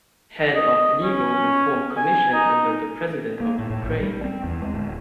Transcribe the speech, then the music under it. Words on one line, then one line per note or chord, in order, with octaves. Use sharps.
Head of Legal Reform Commission under the President of Ukraine.
D#5
C#4
G#5
D#4
A#3
A2
A2
A#1
G3
C4
E2
G#3
D1